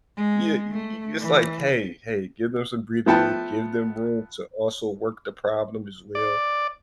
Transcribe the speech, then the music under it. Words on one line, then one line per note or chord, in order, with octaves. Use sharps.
you, y y it's like, "Hey hey" give them some breathing room, give them room to also work the problem as well,
G#3
A3
E3
F3 A3 B3 G5 A5
D5